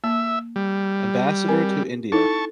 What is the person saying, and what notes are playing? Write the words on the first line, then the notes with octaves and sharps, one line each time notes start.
Ambassador to India.
A#3 E5
G3
C4 A#4 G#5
G4
D#4 E4 A4 A5 C#6